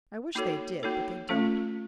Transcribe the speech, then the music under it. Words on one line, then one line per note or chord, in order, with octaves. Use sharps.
I wish they did, but they don't.
A#3 D#4 F#4 A4 C#5
A#3 D#4 F#4 A4 C#5
A3 C#4 F4 A4